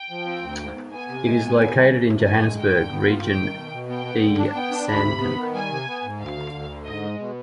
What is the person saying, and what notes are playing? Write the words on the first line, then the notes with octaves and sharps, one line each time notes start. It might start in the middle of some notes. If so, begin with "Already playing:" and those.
It is located in Johannesburg, Region E, Sandton.
Already playing: G5
F3
C4
D2
G#2
B3
B3 G#5
C3
G#3
B3
C3
G3
C3
F3
G2 G#5
G#3
D3 G5
D3
B3
F4
D#3 G5
D#3
B2
B2
B3 G5
B3
D3
D4
B3 G5
D4
D2 B5
C3
B3
D#3
G3 G#5
C3
B3
G#2
D2 F5
D3
D2
D3
G#2 D#5
G#3
B2